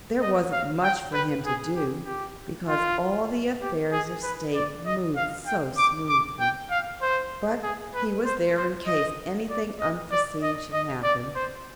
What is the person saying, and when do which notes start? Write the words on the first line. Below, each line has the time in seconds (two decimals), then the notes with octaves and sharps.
There wasn't much for him to do, because all the affairs of state moved so smoothly, but he was there in case anything unforeseen should happen.
0.22 D#5
0.52 F5
0.83 G5
1.13 B4
1.46 G#4
1.75 G4
2.06 G4
2.69 F4
3.62 G4
3.92 G#4
4.23 B4
4.55 D5
4.86 D#5
5.16 F5
5.47 G5
5.77 D6
6.09 D6
6.40 G5
6.71 F5
7.02 C5
7.63 G#4
7.95 B4
8.25 C5
8.57 C5
8.87 D#5
9.50 D5
9.80 D#5
10.12 D5
10.42 D#5
10.73 D#5
11.04 D5
11.35 C5